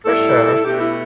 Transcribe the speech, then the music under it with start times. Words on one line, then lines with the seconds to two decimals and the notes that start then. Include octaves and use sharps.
For sure.
0.05 A2 G3 B3 E4 A4
0.65 B2 A3 D4 G4
0.80 E4